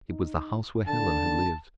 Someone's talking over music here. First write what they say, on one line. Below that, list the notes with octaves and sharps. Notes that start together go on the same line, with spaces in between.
It was the house where Helen had lived.
D#4
D3 A5